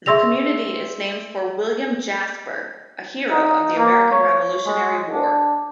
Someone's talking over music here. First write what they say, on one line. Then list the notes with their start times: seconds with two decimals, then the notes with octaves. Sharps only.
The community is named for William Jasper, a hero of the American Revolutionary War.
0.06 G#4 E5 C6 E6 A#6 F7
3.31 D#4
3.77 A#3
4.12 C#5
4.66 G#3
5.12 D4